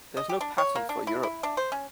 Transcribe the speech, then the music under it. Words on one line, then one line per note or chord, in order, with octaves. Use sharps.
There is no patent for Europe.
D#5
G4
D4
C#5
A#3
D4
E4
E4
D4
C5
C#4